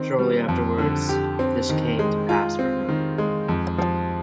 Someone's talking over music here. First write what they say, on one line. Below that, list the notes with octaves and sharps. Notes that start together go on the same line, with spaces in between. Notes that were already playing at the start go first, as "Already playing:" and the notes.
Shortly afterwards this came to pass for him.
Already playing: D#3 C4
G3
F2
D3
G4
C4
D#3
G#3
F4
C4
D#3
G#3
F2
F3